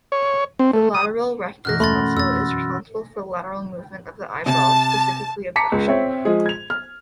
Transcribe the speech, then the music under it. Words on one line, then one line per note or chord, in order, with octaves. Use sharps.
The lateral rectus muscle is responsible for lateral movement of the eyeball, specifically abduction.
C#5
C4
A3
D#6
F#2 B2 E3 F6 F#6 A#6
D#2 A3 B5 C6 A6
F2 E6 A6
C3 A5
A5 A#5 D6 B6 C#7
C#2
C4 C#5 E5
F3 G#3 G#4
G#6 F7
F6